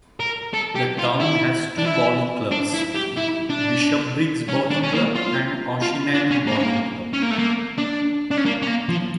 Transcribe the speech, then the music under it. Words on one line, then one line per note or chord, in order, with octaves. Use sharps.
The town has two bowling clubs; Bishopbriggs Bowling Club and Auchinairn Bowling Club.
A#4
A4
G4
F4
E4
D4
E4
D4
E4
G4
E4
D4
C#4
D4
C#4
A#3
F4
F4
D4
C#4
A#3
C#4
A#3
C#4
A#3
A3
A#3
D4
D4
C#4
A#3
C#4
A#3
F3